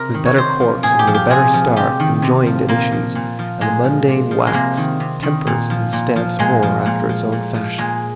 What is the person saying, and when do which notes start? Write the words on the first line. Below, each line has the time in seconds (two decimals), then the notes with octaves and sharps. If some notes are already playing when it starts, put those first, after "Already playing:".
With better course and with a better star Conjoined it issues, and the mundane wax Tempers and stamps more after its own fashion.
Already playing: C3 A#4
0.14 D#3
0.25 C#5
0.38 C3 C5
0.60 F3
0.83 A#2 G#4
0.99 G4
1.07 F3
1.14 G4
1.30 C3 G#4
1.54 F3
1.76 C3 G4
2.00 D#3
2.22 C3
2.46 F3
2.68 A#2 A#3
2.92 F3
3.15 A#2
3.39 F3
3.61 A#2 G#3
3.84 F3
4.08 C3
4.31 F3
4.47 G#3
4.53 C3 A#3
4.77 D#3
5.00 C3
5.23 D#3
5.47 A#2
5.70 F3
5.93 A#2
6.16 F3
6.39 A#2 G#3
6.63 F3
6.86 A#2
7.09 F3
7.32 A#2
7.54 F3
7.78 A#2 G#3